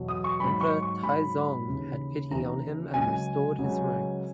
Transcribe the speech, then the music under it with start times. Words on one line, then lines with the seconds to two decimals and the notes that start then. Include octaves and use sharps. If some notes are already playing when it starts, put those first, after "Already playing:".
Emperor Taizong had pity on him and restored his ranks.
Already playing: E2 B2 F#3
0.08 D#6
0.24 C#6
0.40 G#2 F#3 B5
0.61 C#6
0.82 C#6
1.03 G#2 F#3 B5
1.68 D#2 C#3 E3
2.30 D#2 C#3 E3 A#5
2.94 C#2 C#3 F#3 G#5
3.59 C#2 C#3 F#3